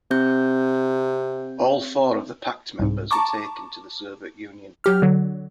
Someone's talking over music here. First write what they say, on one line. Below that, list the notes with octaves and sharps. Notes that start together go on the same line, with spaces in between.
All four of the pact members were taken to the Soviet Union.
C3 C4 G6
C2 G#2
A5 A#5 C#6 D6
F#3 G4 F6
D3 F#3